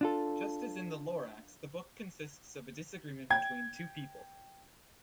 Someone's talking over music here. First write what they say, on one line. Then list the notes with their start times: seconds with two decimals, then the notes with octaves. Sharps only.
Just as in "The Lorax", the book consists of a disagreement between two people.
0.01 D4 F4 A4
3.30 G5 G#6